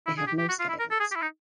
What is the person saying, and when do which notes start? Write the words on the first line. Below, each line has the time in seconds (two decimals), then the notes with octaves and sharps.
They have no scales.
0.07 E4
0.18 G#4
0.27 G4
0.38 G4
0.49 F#4
0.59 F4
0.69 E4
0.80 A#4
0.91 A4
1.00 G#4
1.11 G4
1.16 E4
1.22 D#4